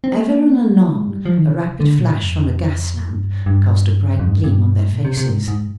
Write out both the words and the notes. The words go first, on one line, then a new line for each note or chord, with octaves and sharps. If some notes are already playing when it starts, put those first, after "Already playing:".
Ever and anon a rapid flash from a gas lamp, cast a bright gleam on their faces.
C4
A#3
G#3
G3
F3
D#3
C3
D3
A#2
G#2
F2
G2
G2
F2
G#2
G2
G2
A#2
C3
C3
G#2
G#2